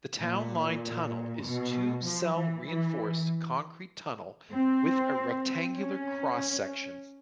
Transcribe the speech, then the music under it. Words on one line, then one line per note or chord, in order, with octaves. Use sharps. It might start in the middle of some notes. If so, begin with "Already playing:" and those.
The Townline Tunnel is a two-cell reinforced concrete tunnel with a rectangular cross-section.
A#2
B2
F3
E3
E3
C4
C#4